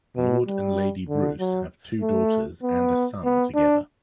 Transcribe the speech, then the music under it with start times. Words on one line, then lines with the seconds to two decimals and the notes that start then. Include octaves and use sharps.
Lord and Lady Bruce have two daughters and a son together.
0.17 B2
0.48 G3
1.09 D3
1.40 F#3
2.02 A3
2.63 B3
3.24 B3
3.55 D4